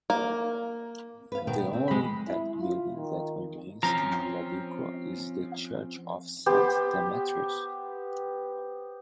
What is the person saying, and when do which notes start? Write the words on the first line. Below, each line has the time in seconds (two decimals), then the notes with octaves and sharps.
The only intact building that remains in Ladiko is the church of Saint Demetrius.
0.10 A#3
1.32 B4 F5
1.47 B2 D#3 G5
1.59 B3
1.73 C4
1.88 G#3 B5
2.28 E4
2.61 F4
2.96 D#3
3.83 F3 C4 C#4 A#5
6.46 B3 G4 C5